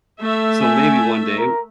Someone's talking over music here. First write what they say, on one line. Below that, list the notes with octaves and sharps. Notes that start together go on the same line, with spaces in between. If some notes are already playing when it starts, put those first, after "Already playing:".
So, maybe one day.
A3 E5
G#5
A#4